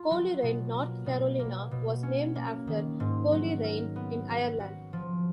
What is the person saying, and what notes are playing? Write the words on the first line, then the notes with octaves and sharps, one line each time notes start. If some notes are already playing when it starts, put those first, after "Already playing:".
Colerain, North Carolina, was named after Coleraine in Ireland.
Already playing: F4
F#3
B2
A#3
B2
A#3
B2
C#4
A#3
D#3
G#2
F#3
A#4
B3
F#3
F#4
F3